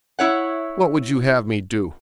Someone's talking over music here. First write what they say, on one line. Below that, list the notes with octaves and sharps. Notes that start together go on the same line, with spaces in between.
'What would you have me do?
E4 C#5 F#5